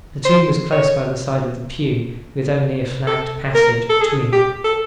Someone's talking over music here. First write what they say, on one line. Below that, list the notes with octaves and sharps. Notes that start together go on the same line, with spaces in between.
The tomb was close by the side of the pew, with only a flagged passage between.
C5
C#5
A4
A#4
A4
G#4
G4
A4